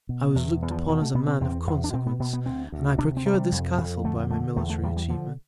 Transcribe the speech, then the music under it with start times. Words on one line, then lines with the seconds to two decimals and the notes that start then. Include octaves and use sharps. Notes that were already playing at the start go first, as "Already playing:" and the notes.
I was look'd upon as a Man of Consequence, and I procur'd this Castle by my military Atchievements.
0.09 B2
0.36 E2
0.62 E2
0.71 F3
0.88 B2 E3
1.02 A3
1.15 B2 B3
1.28 C4
1.41 E2 C4
1.67 E2
1.84 D4
1.93 B2 C4
2.07 B3
2.20 B2 B3
2.33 B3
2.46 D2 C4
2.72 D2
2.99 C3 D4
3.17 C4
3.25 C3
3.34 G3
3.52 F2
3.78 F2
4.05 D3 A3
4.30 D3 A3
4.56 E2 A3
4.70 A3
4.83 E2 G3
4.96 G3
5.10 D3 F3